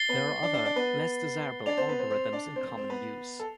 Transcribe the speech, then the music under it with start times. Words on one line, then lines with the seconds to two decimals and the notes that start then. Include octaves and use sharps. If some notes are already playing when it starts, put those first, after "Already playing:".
There are other, less-desirable algorithms in common use.
Already playing: A6 C7 G7
0.09 B3 B4
0.43 D4 D5
0.54 D4 D5
0.65 D4 D5
0.76 B3 B4
1.66 D4 D5 A6 C7 F7
1.77 C4 C5
1.89 B3 B4
1.99 C4 C5
2.11 C4 C5
2.33 D4 D5
2.56 C4 C5
2.67 C4 C5
2.78 C4 C5
2.89 B3 B4
3.39 A4